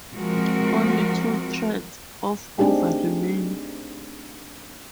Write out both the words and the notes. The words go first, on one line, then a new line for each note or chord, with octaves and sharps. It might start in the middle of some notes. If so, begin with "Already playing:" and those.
Only two tracts of over remain.
F3 G#3 C4 F#4 A#4
A3 C4 D4 D#4 G4 G#4